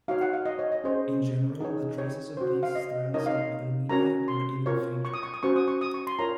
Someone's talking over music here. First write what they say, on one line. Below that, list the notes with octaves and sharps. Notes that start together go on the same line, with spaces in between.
In general the traces of these styles in other media are even fainter.
D#4 F#4 C#5 F5
F#5
F5
D#5
C#5
D#5
C#4 G#4 C5
D#4 G#4 C#5
C#5
F#4 C5
F5
D#5
D#4 A#4 C#5 D#5
F5
C#4 F#4 A#4 C#5 A#5
C6
F4 A#4 C#5 C#6
C#6
D#6
C#6
D#6
C#4 F#4 C5 C#6
D#6
C#6
D#6
C#6
C6
F4 A#4 C#5 A#5